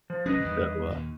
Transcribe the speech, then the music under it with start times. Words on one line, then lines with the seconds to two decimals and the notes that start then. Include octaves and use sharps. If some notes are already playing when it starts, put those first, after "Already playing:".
So, uh,
0.10 F3
0.26 C#2 F#3 C#4 G#4 B4 D#5
0.40 E2 G2 D#3
0.91 D#2 A#2